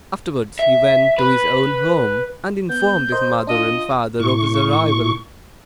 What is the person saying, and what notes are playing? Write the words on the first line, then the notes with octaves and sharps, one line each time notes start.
Afterwards he went to his own home, and informed his mother and father of his arrival.
E5
B4
B3 G6
A#4 C5 D#5
D4 F4 D#5
A2 C#6